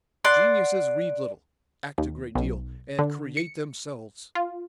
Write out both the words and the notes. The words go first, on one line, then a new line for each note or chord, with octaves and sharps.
Geniuses read little, act a great deal, and create themselves.
D5 F#5 C6
D#2
B1
D3
C#7
F4